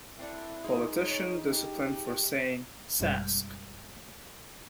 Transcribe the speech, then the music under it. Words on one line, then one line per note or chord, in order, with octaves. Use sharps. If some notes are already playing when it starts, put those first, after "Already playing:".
Politician disciplined for saying Sask.
C4 D4 E4 A4
G#3 D#4 G#4 D#5
C#5
G4
G1 F#2 B2 G3 G#3 G6